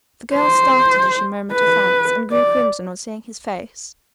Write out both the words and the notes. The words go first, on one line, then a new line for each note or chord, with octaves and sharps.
The girl started as she murmured her thanks, and grew crimson on seeing his face.
C5
B4
D5